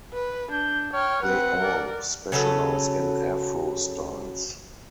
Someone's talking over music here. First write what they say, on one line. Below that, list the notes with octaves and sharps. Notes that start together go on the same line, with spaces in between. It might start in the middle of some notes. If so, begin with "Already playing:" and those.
They all specialise in afro-styles.
B4
D4 G6
C#5 G5 F6
C4 B4 F#5
A#4 D5
C#3 F#3 B3 A4